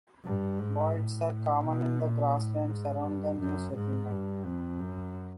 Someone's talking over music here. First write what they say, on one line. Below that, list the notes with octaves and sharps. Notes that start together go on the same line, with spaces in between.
Boids are common in the grasslands around the new settlement.
G2
G#2
A2
B2
A#2
A2
G#2
G2
F#2
G#2
G2
F2
F#2